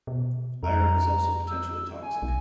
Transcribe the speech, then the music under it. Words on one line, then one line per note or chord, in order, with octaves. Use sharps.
Iron is also potentially toxic.
B2
F2 A#5
E6
G#5
B1